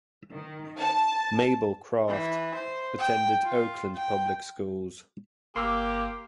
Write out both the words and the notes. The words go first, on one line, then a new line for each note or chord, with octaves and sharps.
Mabel Craft attended Oakland public schools.
D#3
A5
E3
C5
G5
F4
G5
G1 A#3 G4 C6 D6 E6